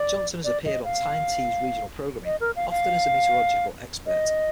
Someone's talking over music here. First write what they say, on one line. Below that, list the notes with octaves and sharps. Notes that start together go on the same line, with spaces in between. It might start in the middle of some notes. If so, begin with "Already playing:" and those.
Johnson has appeared on Tyne Tees' regional programming, often as a metrological expert.
Already playing: D5
D5
D#5
F5
D#5
A#4
F5
F5
D#5